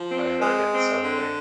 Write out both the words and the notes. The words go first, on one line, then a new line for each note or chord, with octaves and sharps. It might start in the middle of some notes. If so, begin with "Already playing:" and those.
I hurt it some way.
Already playing: F3
C4
G#3
C4
D3